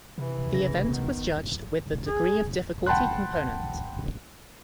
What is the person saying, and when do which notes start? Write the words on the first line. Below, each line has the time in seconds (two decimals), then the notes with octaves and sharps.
The event was judged with the degree of difficulty component.
0.18 C3 E3
0.52 C#3 A#6
0.93 D#3 B3
2.06 G#4
2.86 F#5 G5 A5 B5 C6 F#6